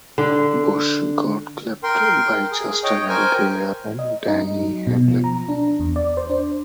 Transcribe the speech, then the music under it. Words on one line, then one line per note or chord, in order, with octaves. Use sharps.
Busch got clipped by Justin Allgaier and Denny Hamlin.
D3
A#4 G5 C6
G#4
C#5 D#5 G5
A#4 C5 G5 G#5
D#5
D#4
F#3
B2
F3
A#5
D4
E2
D5
C5
D4